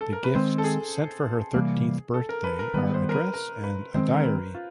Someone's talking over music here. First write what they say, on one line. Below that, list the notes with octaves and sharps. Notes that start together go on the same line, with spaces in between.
The gifts sent for her thirteenth birthday are a dress and a diary.
A4
A#4
B4
D#3 G#3 C4 C5
A4
G#4
C3 E3 G3 A#3
A4
A#4
B4
A#4
D#3 G3 B3 B4
C5
A#4
B4
A#4
B4
D#3 G#3 C4 C5
A#4
B4
F4